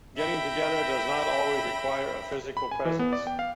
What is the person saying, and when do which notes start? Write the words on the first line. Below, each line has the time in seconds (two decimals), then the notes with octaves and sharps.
Getting together does not always require a physical presence.
0.15 E5 G5 B5 A#6
2.57 B5
2.71 G#5
2.85 E3
2.99 B3
3.13 D5
3.27 G5
3.39 F5